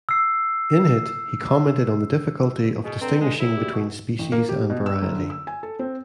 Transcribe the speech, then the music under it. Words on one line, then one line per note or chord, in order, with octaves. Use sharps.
In it, he commented on the difficulty of distinguishing "between species and variety".
E6 C7
B2 G#4
D3 C4 B4 A#5
G#3
A2 E4
G3 F#4 G#4
B2 C#6 D#6
A1
A#3
G4
B2
E6
F#1
D3
E6
G#5
A4
C4